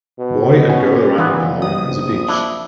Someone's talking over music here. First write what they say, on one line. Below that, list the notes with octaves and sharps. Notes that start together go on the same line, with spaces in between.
Boy and girl running along the beach.
B2
C#4 F#4
A#2 E3 B3
A#1 D#6
D4 E4